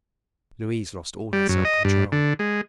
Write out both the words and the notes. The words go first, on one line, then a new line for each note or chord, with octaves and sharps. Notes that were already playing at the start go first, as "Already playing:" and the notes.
Louise lost all her self-control.
G3
F#2
D#5
G2
D3
G#3